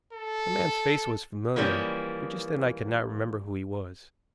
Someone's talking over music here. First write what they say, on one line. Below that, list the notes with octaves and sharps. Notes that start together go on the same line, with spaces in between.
The man's face was familiar, but just then I could not remember who he was.
A4
E3 F3 G3 A#3 C#4